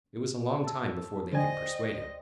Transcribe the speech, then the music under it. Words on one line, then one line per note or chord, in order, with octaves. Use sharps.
It was a long time before they could persuade him.
A5 E6
D3 C5 D5 D#5 G5 G#5